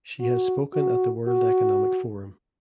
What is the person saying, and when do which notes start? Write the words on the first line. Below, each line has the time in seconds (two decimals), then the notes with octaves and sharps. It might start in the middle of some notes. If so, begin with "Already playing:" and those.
She has spoken at the World Economic Forum.
0.20 F#4
0.74 F#4
1.28 F#4